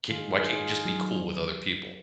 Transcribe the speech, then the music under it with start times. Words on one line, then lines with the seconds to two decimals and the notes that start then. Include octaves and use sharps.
Ca why can't you just be cool with other people?
0.10 D#3 D#4 F4 G#4
0.85 F#3